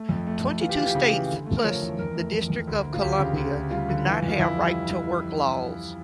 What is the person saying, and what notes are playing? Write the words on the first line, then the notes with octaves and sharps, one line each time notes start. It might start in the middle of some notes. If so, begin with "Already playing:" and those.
Twenty-two states, plus the District of Columbia, do not have right-to-work laws.
Already playing: A3
F2
A3
F2
E3 F4
G4
E3 F4
G4
C#3
E3
D3
A3
A#4
F3 C#5
E2
F2 A#4
A3
F2
F2
D2
D2
F4
D2 G4
C#3
D2
D2
G3 F4
D3
E3
F2
F4
F2 E4
G3